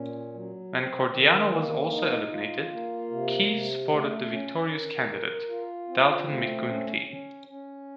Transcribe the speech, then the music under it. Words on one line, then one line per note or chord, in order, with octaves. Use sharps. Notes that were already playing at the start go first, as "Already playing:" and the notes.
When Cordiano was also eliminated, Keyes supported the victorious candidate, Dalton McGuinty.
Already playing: A#2 C#4
F#3
C4
D#3
A#3
D#4
F4
A#3
C3
C3
A3
C#4
A#4
A#4
F4
C4
A3
C#4
C#4
C#4